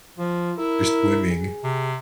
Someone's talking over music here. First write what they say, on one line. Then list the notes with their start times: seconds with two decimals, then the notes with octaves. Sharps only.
You're swimming.
0.18 F3 F4
0.57 E4 A#4
1.29 G#4
1.64 C3